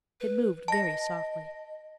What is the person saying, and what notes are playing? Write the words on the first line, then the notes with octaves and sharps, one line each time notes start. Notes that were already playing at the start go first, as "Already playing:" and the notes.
It moved very softly.
B4
D#5 A5 A#6